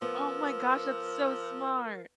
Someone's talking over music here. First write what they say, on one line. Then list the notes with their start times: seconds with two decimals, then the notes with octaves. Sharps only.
Oh my gosh. That's so smart.
0.02 F3 B3 A#4 E6